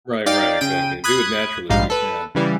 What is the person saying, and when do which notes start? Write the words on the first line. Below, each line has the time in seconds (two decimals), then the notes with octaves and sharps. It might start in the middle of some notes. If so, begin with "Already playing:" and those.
Right, right, exactly. Do it naturally if you can.
0.26 D#4 D5 F5 G5 A6
0.61 C#3 G5 D#7
1.04 B5 D#6 F#6 G#6
1.70 A#1 G#2 G3 D#4 F5
1.90 A4 B4
2.35 C#3 E3 G3